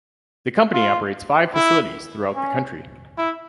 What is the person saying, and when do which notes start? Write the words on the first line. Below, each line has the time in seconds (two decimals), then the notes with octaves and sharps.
The company operates five facilities throughout the country.
0.73 F4
1.54 E4
2.36 C#4
3.18 E4